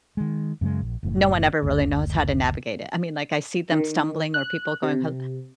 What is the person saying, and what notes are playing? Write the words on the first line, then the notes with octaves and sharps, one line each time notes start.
No one ever really knows how to navigate it. I mean, like, I see them stumbling or people going ho
D#3 G#3
F#2 C#3 G3 G#3
A#1
F#1 A2
F#1 D2
D#3
F#6
C3